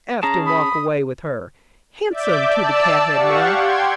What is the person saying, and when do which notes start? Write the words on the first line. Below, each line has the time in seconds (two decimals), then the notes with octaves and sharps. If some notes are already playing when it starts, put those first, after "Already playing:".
Aft and walk away with her! Handsome to the cathead, now!
0.23 C#4 G#4 A5 A#5
0.46 B5 D#6
2.10 D5 E5 D6 G6
2.49 D5 A5 E6
3.14 G4 F5 F#5 C#6
3.52 G5 C6 G#6